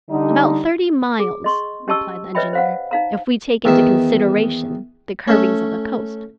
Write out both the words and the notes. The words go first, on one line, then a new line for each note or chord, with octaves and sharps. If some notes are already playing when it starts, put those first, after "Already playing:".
"About thirty miles," replied the engineer, "if we take into consideration the curvings of the coast."
D3 G3 D#4
G#4
D#5 C6 C#6
C#4 G4 D#5 A5 C#6 E6
B4 C#5 D#5 E5 G5 B5
C5 F5 F#5
D#4 F5 A#5
E2 D#3 E5
A3 C#4